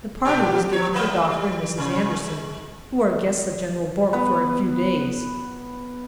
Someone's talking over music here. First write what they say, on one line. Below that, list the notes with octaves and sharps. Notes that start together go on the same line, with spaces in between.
The party was given for Doctor and Mrs. Anderson, who are guests of General Bourke for a few days.
A#2 D4 G4
F3 C#5
F#3 A#3 B3
G3
C3
G#3
B3 B4